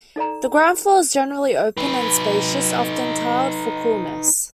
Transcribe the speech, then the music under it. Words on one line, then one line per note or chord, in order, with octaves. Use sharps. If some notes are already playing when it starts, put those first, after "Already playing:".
The ground floor is generally open and spacious, often tiled for coolness.
D#4 A4 D5 A#5
D#4 B4